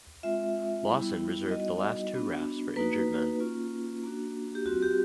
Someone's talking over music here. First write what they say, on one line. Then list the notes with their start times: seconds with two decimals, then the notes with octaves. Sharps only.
Lawson reserved the last two rafts for injured men.
0.23 G#3 C4 F4 E5
0.87 G3 B3 E4
1.50 G3 B3 D#4 F#4 D#5
2.13 B3 D4 F#4
2.76 A#3 D#4 F#4 B4
3.40 A#3 C#4 F4
4.03 A#3 D4 F#4
4.55 G4
4.66 G3 C4 F4 F#4
4.82 G4